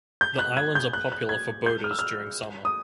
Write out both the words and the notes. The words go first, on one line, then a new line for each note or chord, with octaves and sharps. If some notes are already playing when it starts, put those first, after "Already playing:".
The islands are popular for boaters during summer.
G6
F#6
G#6
G6
F#6
F#6
G#6
G6
F6
E6
F6
D#6